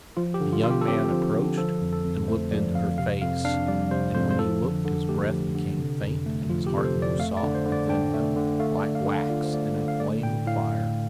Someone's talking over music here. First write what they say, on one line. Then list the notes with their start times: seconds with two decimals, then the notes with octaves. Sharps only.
The young man approached and looked into her face, and when he looked his breath became faint and his heart grew soft within him like wax in a flame of fire.
0.17 F3 F4
0.34 G4
0.41 D3
0.53 F4
0.63 F4
0.70 G4
0.81 A4
0.88 C4 G4
1.11 F3
1.34 D3
1.57 F3 A4
1.82 F2
1.93 A4
2.05 F2
2.28 A3 C5
2.51 F3 D5
2.74 F2 F5
2.98 C3 F5
3.21 F2 F5
3.45 D4 F5
3.68 G3 D5
3.91 C3 C5
4.14 F2 C5
4.31 C5
4.39 F3 A4
4.62 D3
4.85 D3
5.08 A3 G4
5.32 F3
5.55 D3
5.79 C3
6.02 F2
6.26 A3
6.49 F3 F4
6.67 G4
6.72 C3
6.78 A4
6.84 C5
6.96 F2
7.02 D5
7.19 A3 F5
7.37 D5
7.43 D3
7.55 C5
7.66 D3
7.72 D5
7.89 D4 G5
8.13 A3
8.36 D3
8.60 A3 F5
8.77 D5
8.83 D3
8.95 F5
9.07 D3
9.12 F5
9.30 F4 D5
9.43 C5
9.54 A3 D5
9.76 D3
9.88 F5
10.00 A3 D5
10.23 A2 G5
10.47 A2 F5